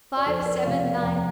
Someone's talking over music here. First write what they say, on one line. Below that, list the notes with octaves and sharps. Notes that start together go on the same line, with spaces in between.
Five, seven, nine.
D5
F2 A4 C5
A#4 D5
C3 F3 A3 C4 D5 F5
F2 G5 A#5